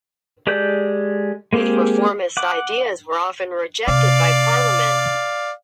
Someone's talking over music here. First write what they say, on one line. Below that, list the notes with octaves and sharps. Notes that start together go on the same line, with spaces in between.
His reformist ideas were often rejected by Parliament.
G#3 G4 A4 D5 G6
G#3 A#3 C4 G4 G#4
F#5 D6
C3 D5 F5